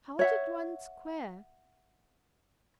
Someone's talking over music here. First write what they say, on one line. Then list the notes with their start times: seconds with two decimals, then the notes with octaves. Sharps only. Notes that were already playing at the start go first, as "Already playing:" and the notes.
How did one square?
0.19 C#5 E5 F#5